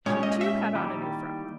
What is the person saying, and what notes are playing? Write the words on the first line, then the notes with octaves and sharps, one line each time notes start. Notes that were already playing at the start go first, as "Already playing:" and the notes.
She, too, had on a new frock.
A#2 G#3 C#4 G4 C#5
D#5
E5
D#3 G3 A#3 E4 G4